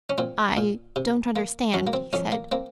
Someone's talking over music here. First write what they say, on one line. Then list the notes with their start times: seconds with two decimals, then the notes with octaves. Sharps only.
"I don't understand," he said.
0.10 C#4
0.18 A#2 C4
0.57 A#2
0.96 C3
1.36 A#3
1.74 F#3 C#4
1.87 A#3
1.93 C4
2.13 F2 C#4
2.32 A#3
2.52 A#3 C4